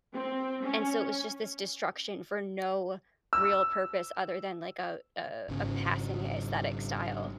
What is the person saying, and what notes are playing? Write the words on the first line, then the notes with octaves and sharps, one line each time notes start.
and so, it was just this destruction for no real purpose other than like a a a passing aesthetic style.
C4
C#4
E6
G#1 C#3